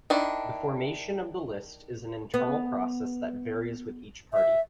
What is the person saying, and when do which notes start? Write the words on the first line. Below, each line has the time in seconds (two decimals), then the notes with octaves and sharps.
The formation of the list is an internal process that varies with each party.
0.10 D#3 D4 E4
2.34 B3
4.33 E5